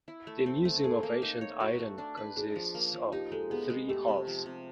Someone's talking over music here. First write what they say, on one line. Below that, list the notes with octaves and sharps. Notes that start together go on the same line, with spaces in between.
The Museum of Ancient Iran consists of three halls.
E4
A3
C4
A3
G#4 A4
A#3
D#4
C#5
F#4
A3
D4
B4
D4 G#4
F3
A#3
F3
D#4 G4
G#3 A4
B3 G#4
G#3
A3 G4
C3
F3
C3